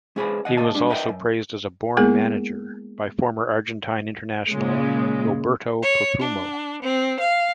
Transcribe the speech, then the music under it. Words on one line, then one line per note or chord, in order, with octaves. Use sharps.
He was also praised as a "born manager" by former Argentine international Roberto Perfumo.
G#3 C#4 G#4 B4 C5 B5
D#2 D#5 F#5
C#2 A#3 D#5 A5
G3 G#3 D4
A#4 B4 D#5 E5 F#5 G5
F#2
G#3 A#3 B3 E4 G#4 A#4
A#2 C#3 G#3
C#5
D4
C4
F5